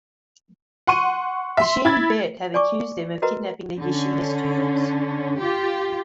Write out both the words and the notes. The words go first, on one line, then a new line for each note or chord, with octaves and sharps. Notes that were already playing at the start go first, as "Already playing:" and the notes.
The Shin Bet has accused them of kidnapping the Yeshiva students.
F#5 C6 C#6 D#7
E5 C6
E4 G#6 A6
D5 G#5 C#6 D6
F#4 A#4 B4 D#5 A#5
D3 C#4
F4 G4